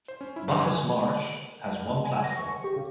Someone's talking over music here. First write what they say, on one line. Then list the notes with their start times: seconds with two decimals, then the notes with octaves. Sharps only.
Bacchus Marsh has one platform.
0.08 C5
0.21 C#4
0.36 E4
0.48 G2
0.65 G#5
2.04 G#5
2.24 A#6
2.37 C#6
2.64 G4
2.76 C#3